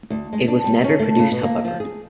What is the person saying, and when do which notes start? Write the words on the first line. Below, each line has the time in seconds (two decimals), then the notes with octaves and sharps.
It was never produced however.
0.10 D2
0.33 G#3
0.48 D4
0.64 G3
0.84 C#4
0.99 A3
1.19 C#3
1.32 B2
1.43 A#3
1.65 F3
1.80 G#4